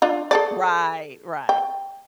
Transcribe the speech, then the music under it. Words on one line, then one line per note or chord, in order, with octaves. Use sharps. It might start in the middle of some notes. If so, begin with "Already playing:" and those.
Right, right.
D4 F4
G#4 A4 D5
G5